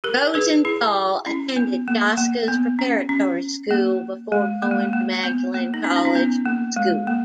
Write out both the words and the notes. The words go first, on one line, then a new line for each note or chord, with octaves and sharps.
Rosenthal attended Josca's Preparatory School before going to Magdalen College School.
G4 A#4
G#4 B4
E4 G#4
C#4 E4
B3
A#3
A#3
B3
C#4
C#4
A#3
G#3
A#3
G#3
A#3
A#3
B3
A#3
D#4
C#4
D#4
C#4
B3
A#3
G#3
A#3